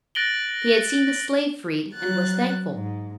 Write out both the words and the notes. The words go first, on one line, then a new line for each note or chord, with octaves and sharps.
She had seen the slave freed, and was thankful.
F#6 A6 A#6 D7 F#7 G7
F#3 F#6 A6
G#2